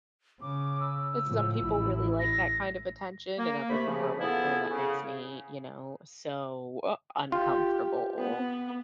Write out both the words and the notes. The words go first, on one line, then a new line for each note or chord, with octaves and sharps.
Some people really like that kind of attention and other people are like, "Oh, that makes me, you know, so u uncomfortable."
C#3 D6
E6
A2 F3
A1 E4
A#6
A#3
C3 A3 B5
C#3 F3
E3 F3 B3 E4 G#4 A4
C#3
F4 G4
B3